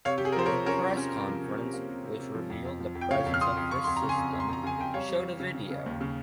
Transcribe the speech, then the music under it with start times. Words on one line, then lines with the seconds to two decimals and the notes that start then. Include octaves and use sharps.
The press conference, which revealed the presence of this system, showed a video.
0.05 C3 C#5 F5
0.18 G4
0.21 C3 G#4
0.32 A#4
0.36 F3 C5
0.46 A#4 C#5
0.51 C3
0.66 C#4 A#4 C#5
0.82 C3
0.97 C#4
1.12 C3
1.28 F3
1.43 C3
1.58 C3
1.73 A#3
1.89 C3
2.04 C3
2.20 C3
2.34 F3
2.50 F2
2.65 F2
2.80 F3
2.95 F2
3.01 G5
3.11 C#3 C#5 F5
3.26 F2
3.34 F6
3.41 F2 C6 D#6
3.56 F2
3.71 F2 C#6
3.84 F2 C6
3.97 A#5
4.02 C#3
4.09 G#5 C6
4.17 F2
4.33 F2
4.40 C6
4.48 F2 A#5
4.63 C#3 G#5
4.78 F2 G5
4.94 G3 C#5 F5
5.09 G3
5.24 G3
5.40 C#3
5.55 C#3
5.70 C#3
5.86 D#2
6.01 C#3